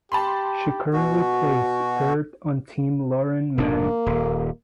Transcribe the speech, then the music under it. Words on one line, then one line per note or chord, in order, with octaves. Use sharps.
She currently plays third on Team Lauren Mann.
G4 A5 B5 C6
B2 F#4
F1 G#2 A#3 D4
D#1